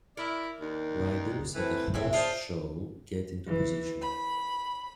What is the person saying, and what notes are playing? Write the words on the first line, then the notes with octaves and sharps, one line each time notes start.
Riders at a horse show get into position.
E4 A#4 D5 E5
D#2 D#3 D4
A2 E3 C4
G#3 C4 E4 C#5 E5
D4 F4 G#4 C5
E3
B5